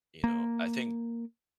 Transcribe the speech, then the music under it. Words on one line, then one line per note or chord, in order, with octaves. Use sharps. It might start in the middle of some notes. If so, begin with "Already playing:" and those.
You know, I think,
A#3